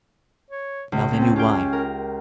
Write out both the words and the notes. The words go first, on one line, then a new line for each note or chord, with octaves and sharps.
Now they knew why.
C#5
C#2 B2
C4 C#4
C#4 F4 G4 G5
A#4